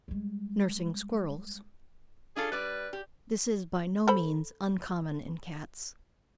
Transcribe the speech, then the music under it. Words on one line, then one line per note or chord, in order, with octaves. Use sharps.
NURSING SQUIRRELS.--This is by no means uncommon in cats.
G3 G#3
D4 F4 G#4 A4
G3 B4 D5
G4
A4 C5 B5